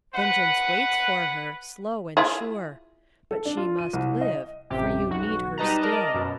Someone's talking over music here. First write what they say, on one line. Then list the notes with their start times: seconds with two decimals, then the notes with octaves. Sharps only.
Vengeance waits for her, slow and sure; but she must live, for you need her still.
0.15 B4 F#5
2.17 E4 F4 G#4
3.31 A4
3.46 D4
3.57 F4
3.79 D#7
3.93 C2
4.21 D#5
4.70 A1 F2 C3 G4
5.10 B1 F#4
5.58 G3 D#4 B4 D#5 A5 A#5
5.81 A#4 D5 D#5 A5 A#5
6.14 F#2 B2